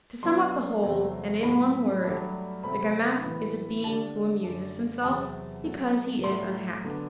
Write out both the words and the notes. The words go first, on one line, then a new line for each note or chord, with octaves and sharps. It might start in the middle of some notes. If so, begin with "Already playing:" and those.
To sum up the whole, and in one word, the gamin is a being who amuses himself, because he is unhappy.
B2 F#3 B3 D4 C6
E2 C3 F#3 A3 C4
A2 F#3 A3 B5
G2 F#3 A3 D4
C3 F#3 A3 C4 B5
A2 E3 B3
D3 G3 D4 A5
F#2 D3 A3 D4
E2 C3 F#3 C4 A5
B2 F#3 A3
A2 F#3 A3 C6
D3 F#3 B3 D4